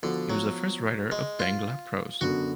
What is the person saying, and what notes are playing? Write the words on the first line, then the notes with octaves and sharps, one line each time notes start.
He was the first writer of Bangla prose.
D3 F3 B3 F#4
F#3
G#3
F4
F#2 D3 F#3 B3 F#4